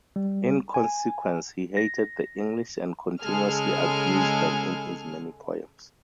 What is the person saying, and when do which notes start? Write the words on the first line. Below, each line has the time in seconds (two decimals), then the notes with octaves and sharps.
In consequence he hated the English and continuously abused them in his many poems.
0.16 G3
0.74 G#5
1.77 A#6
3.21 C#3 G#3 G#4 A4 G#5 F6